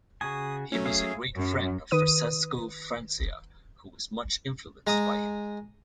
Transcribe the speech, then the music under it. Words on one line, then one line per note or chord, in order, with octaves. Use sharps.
He was a great friend of Francesco Francia, who was much influenced by him.
C#3 F#4 G#5 D#6
F#3 A3 C#4
G#4 E5 F5
F#2
D#3 B4 D#6 D#7
G#3 A#5 D#6